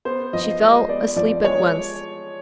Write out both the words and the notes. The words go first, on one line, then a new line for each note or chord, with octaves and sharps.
She fell asleep at once.
B3 C5
F3 D#5
G#3 D#5
B3 D5
F3 D5
G#3 C#5